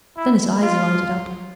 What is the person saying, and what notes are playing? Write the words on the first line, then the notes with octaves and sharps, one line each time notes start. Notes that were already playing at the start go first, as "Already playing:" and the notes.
Then his eyes lighted up.
E4
F4